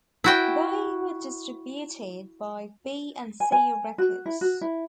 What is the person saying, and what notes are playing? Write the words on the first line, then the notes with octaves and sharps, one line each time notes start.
They were distributed by B and C Records.
E4 F#4 G5
G#5
G#5
F#4
E4
F#4
E4